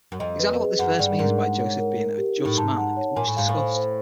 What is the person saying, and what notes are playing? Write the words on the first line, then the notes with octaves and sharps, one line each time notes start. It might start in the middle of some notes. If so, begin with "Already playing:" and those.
Exactly what this verse means by Joseph being a "just man" is much discussed.
F#2
F2 D#5
B4
G#4
F#2 F#5
G2 D5
G#2 A#4
F#5
C#5
A#4
A#4
G4
D#4
A2
G#2 A5
F#5
C#5
A#2 G#5
A2
G#2 F5
A2
C5
C5